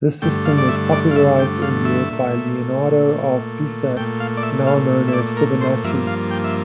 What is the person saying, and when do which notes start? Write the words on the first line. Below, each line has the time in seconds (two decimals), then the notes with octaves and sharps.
This system was popularized in Europe by Leonardo of Pisa, now known as Fibonacci.
0.22 G2 D3 A3 G5
0.45 F5
0.58 D5
0.69 E5
0.92 D5
1.11 F5
1.16 E5
1.39 G5
1.62 F5
1.85 E5
2.10 A#2 A3
3.96 A3 G5
4.00 A#2
4.20 F5
4.37 D5
4.43 E5
4.67 F5
5.08 E5
5.13 D5
5.37 A#4
5.61 C5
5.84 G2 F3 A#3 E5
6.07 F5
6.31 G5
6.44 E5